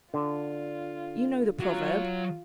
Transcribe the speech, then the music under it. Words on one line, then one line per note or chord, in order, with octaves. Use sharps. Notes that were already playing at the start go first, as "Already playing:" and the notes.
'You know the proverb.'
D3 F4
F#3 F4